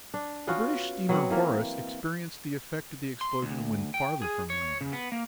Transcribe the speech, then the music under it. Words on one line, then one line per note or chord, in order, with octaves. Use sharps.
The British steamer Horace experienced the effect of the explosion when farther from land.
D4
B3 C#4 F4 F#4
F#3 B3 C4 F#5
E3 A#3 A#4
C6
D2
G5
G#4
C#5
C#3
B3
A#3